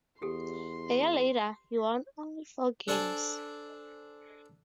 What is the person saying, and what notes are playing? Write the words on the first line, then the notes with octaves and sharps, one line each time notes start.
A year later, he won only four games.
E2 G4 A4 C6
D4 A4 C5 D5 G#5